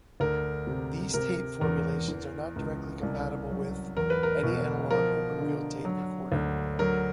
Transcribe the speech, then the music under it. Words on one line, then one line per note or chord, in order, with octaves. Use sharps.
These tape formulations are not directly compatible with any analog open-reel tape recorder.
D2 A#4
C3
C3 A#4
E2 A#4
E3
C#2
C2
F#3
E2 A#4
B4
A#4
B2
F3 A#4
D3
F#3
D2
F#3 A#4